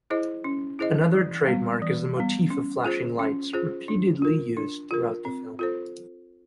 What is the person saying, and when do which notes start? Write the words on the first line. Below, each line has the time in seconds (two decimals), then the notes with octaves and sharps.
Another trademark is the motif of flashing lights, repeatedly used throughout the film.
0.10 E4 G#4 C5 D#5
0.44 C#4
0.79 E4 G#4 C5 D#5
1.14 E3
1.48 G3 B3
1.82 E3
2.17 G3 B3
2.50 C#4
2.85 F4 G#4 C5
3.19 C#4
3.53 F4 G#4 C5
3.88 D4
4.22 F4 A#4
4.57 D4
4.91 F4 A#4
5.25 C4
5.59 F4 A4 C5